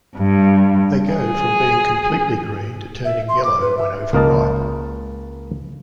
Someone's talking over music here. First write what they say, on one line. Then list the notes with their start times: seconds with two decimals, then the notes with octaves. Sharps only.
They go from being completely green to turning yellow when overripe.
0.17 G2
1.12 G#4
3.05 E5
3.29 C6
3.44 D6
3.61 B4
3.78 E5
4.13 C#2 A#3 A#4 D#5 A5